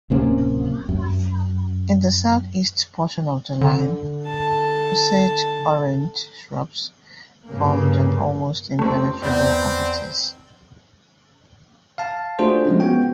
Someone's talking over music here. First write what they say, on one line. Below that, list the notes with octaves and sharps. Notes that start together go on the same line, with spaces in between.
In the southeast portion of the line, Osage-orange shrubs formed an almost impenetrable abatis.
D1 C3 A#3 C#4
F#2
D3
A4 A5
G2 C#3 A#3
F1 A3 C4 C#4
E2 C4 D5 B5 G6
F5 A5
A3 D4 F4 F#4 G#4 C5
F3 G#3 C#4
B3 F#4 G5